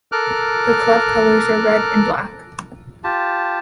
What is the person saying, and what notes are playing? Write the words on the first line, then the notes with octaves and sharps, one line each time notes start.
The club colours are red and black.
A4 A#4 D6 F6 F#6
F4 G4 A5